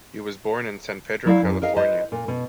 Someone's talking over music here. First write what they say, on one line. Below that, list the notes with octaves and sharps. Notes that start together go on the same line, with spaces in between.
He was born in San Pedro, California.
F#3 E4 D5 F5
F#2
A#4 D#5 F5
B4 C5 D#5
A#2
B2